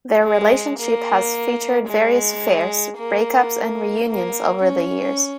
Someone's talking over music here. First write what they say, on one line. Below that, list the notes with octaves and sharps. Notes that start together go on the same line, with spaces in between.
Their relationship has featured various affairs, break-ups and reunions over the years.
G#3
A#3
G#3
A#3
A#3
C#4